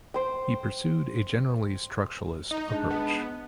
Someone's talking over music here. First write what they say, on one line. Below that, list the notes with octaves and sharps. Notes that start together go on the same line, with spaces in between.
He pursued a generally structuralist approach.
C5 G5
D#4
G#3 D4
B3